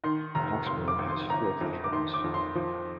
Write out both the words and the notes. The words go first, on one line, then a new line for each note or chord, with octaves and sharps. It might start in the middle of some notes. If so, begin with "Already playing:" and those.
Hawksburn has four platforms.
D#3 C6
F1 A#5
G#1 C6
D6
G#1
C6
G1 A#5
F2
D6
D#3 C6
D6
F2
C6
F3